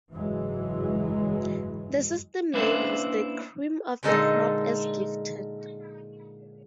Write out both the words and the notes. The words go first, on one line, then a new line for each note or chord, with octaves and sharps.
The system labels the cream of the crop as gifted.
F#1 G#2 E3 F#3 G#3
A#3 C#4 D4 E4 B4 C5
A#2 D3 G#3 D#4 A4